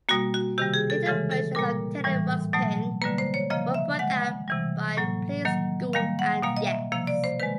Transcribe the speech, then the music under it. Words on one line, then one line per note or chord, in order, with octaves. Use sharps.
Later versions of "Teddy Ruxpin" were brought out by Playskool and Yes!
B2 G3 A#3 F#4
F#4
C3 D#3 G3 G4
G#4
A4
C#3 E3 G#3 A4
A4
A#2 G3 A#3 A#4
A2 E3 G3
B2 F#3 A3
D3 G3 A#3 B4
C5
C#5
C#3 F3 A#3 D#5
E5
D#3 G#3 F#5
C3 E3 G3
A2 F#3 A#3
D#3 F#3 A#3
D#3 G3 A#3 F5
F#5
B2 G3 A#3 F5
D#5
E5
C3 F3 A#3 F5
D5
C5
D#3 G#3 B4